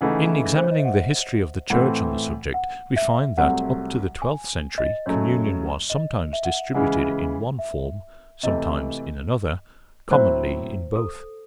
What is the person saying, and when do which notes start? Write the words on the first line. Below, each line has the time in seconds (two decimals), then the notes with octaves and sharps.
In examining the history of the Church on the subject we find that up to the twelfth century communion was sometimes distributed in one form, sometimes in another, commonly in both.
0.01 C#3 E3 A3 D#4 F#5
0.56 C5
0.64 C#5
0.71 D#5
0.78 E5
0.85 F#5
1.70 A2 E3 A3 C4 F#5
2.54 F#5
2.96 E5
3.38 C2 C3 F#3 A3 C4 F#5
4.22 G#5
4.78 D#5
5.06 F#2 C#3 F#3 A3 C#5
5.90 D#5
6.33 E5
6.45 F#5
6.58 E5
6.74 C#3 E3 G#3 F#5
7.59 E5
8.43 C3 E3 A3 D#5
10.11 A2 F#3 C4 E4 C5
10.96 A4